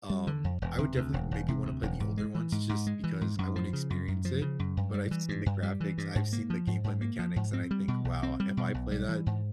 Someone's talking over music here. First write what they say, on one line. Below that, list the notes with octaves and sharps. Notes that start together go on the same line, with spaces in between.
Um, I would definitely maybe wanna play the older ones, just because I wanna experience it. But I've seen the graphics, I've seen the gameplay mechanics, and I think, "Wow. If I play that,
G3
D3
F2
E1
C3
D2
E1
E1
C3
D2
E1
G#2
G#3
E3
G#2
G#2
G#3
E3
G#2
F#2
F3
C#3
F#2
F#2
F3
C#3
F#2
G2
G3
E3
G2
G2
G3
E3
G2
G#2
A#3
F3
G#2
G#2
A#3
F3
G#2
C4
G3
B2
B1
C4
G3
B2
B1
G3
E3
G#2